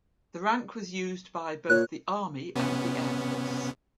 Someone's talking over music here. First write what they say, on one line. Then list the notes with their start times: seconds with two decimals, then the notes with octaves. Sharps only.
The rank was used by both the Army and the Air Force.
1.70 A#2 C#5 F#6
2.55 C3 B3 C#4